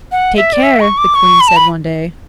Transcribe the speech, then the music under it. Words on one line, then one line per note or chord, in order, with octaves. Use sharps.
"Take care," the Queen said one day.
F#5
E5
D5
E5
C#6
D6
C#6
B5
A5
B5